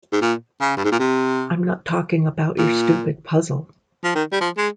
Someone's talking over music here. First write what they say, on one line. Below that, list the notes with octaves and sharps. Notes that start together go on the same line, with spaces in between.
I'm not talking about your stupid puzzle.
G#2
A#2
C#3
G2
G#2
A#2
C3
A#2
F3
D#3
G3
F3
G#3